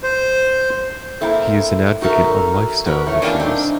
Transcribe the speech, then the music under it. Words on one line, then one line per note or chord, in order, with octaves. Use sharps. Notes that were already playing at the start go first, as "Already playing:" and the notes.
He is an advocate on lifestyle issues.
C5
A#3 C4 E4 A4
D#4 F#4 A4 A#4 E5
F#4 A#4 B4
A3 E4 C#5
E3 A#3 C4 D4
C4 D4 D#4